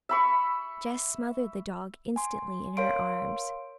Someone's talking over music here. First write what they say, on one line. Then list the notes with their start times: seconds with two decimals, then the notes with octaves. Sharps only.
Jess smothered the dog instantly in her arms.
0.09 E5 B5 C#6
2.16 G#5 C6
2.77 A#4 C#5 F5 C6 D7